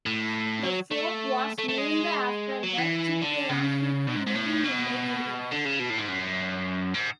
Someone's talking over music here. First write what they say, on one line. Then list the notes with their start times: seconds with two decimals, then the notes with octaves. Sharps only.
The fort was named after the Chipewyan people living in the area.
0.06 A2
0.63 F#3
0.91 A3
1.58 A3
1.69 A3
1.78 G#3
2.64 F#3
2.78 E3
3.22 D3
3.49 C#3
4.08 B2
4.16 G#2
4.27 G#2
4.35 A2
4.64 B2
5.51 D3
5.65 C#3
5.79 B2
5.90 A2
5.98 G#2
6.08 F#2
6.94 G#2